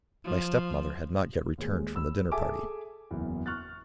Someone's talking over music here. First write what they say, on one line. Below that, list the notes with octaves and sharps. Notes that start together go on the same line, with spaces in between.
My stepmother had not yet returned from the dinner-party.
F3
D#2 G#3
B5 E6
G#4 A4 E5 G#5 D6
F#1 E2
C#6 F6 F#6 A6